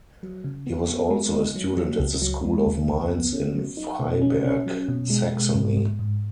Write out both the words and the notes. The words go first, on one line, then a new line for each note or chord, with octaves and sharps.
He was also a student at the School of Mines in Freiberg, Saxony.
F#3
C#3
B3
B3
G#3
D#4
F#3
F#3
C#2
F#3
G#3
D#2
C#2
B3
C#4
F#3
D#4
B2
C#4
C#4
F#3
B2
G#3
G#3
G#2
G#2
G#2